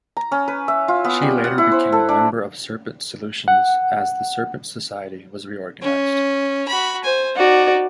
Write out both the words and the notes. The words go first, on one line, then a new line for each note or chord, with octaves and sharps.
She later became a member of Serpent Solutions as the Serpent Society was reorganized.
A#5
C#4
B4
E5
F4
B3
G3
F#5
E4
C5
A4
D4
F#5
C#4
F#4 B5
C5 G#5
D#4 F#4 D5